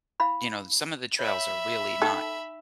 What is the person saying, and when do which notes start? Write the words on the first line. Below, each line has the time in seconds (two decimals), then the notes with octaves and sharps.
you know, some of the trails are really not,
0.20 E4 F5 B5
1.19 C#5 E5 B5
2.02 D#4 A4 G5